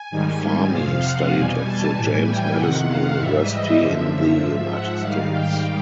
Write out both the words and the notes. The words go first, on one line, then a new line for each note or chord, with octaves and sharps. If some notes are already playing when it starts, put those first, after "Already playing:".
Fahmi studied at the James Madison University in the United States.
Already playing: G#5
G#2 D#3 G3
F2 C3 F3 F5
F#5
E2 B2 G3 G#5
A5
A2 E3 G3 G#5
G5
F2 C3 D#3 F#5
F5
G#2 E3 G3 E5
D#5
F#2 D3 F3 E5
G#2 F3
F#5
G#2 D#3 G3 F5
G5